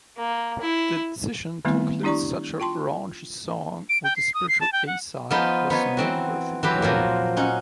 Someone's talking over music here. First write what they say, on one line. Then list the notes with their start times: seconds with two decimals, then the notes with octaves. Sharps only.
The decision to include such a raunchy song with the spiritual A-side was noteworthy.
0.18 A#3
0.61 E4
1.65 D#3 G3 A3 B3 C4 E4
2.03 D4 E4 G4 D5 A#5 C#6
2.60 F4 G5 A5 C6
3.89 D7
4.04 G5
4.16 C7
4.34 D#6
4.49 C7
4.61 A5
4.73 G5
4.87 F#5
5.31 F3 B3 D#4 F4
5.70 B3 D#4 C#5
5.97 E3 C4 F#4
6.63 E3 F#3 C4 G4 B4
6.82 A#2 F3 F#3 A#3
7.37 C#4 D#4 F#5